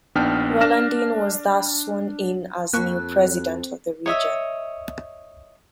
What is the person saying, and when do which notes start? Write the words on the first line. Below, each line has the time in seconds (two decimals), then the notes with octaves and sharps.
Rollandin was thus sworn in as new President of the Region.
0.15 A#1 B3 D4 D#4 G5 F6
0.61 D4 F6 A#6 E7
2.73 F2 A#3 C#6 F#6
4.06 C#5 D#5 E5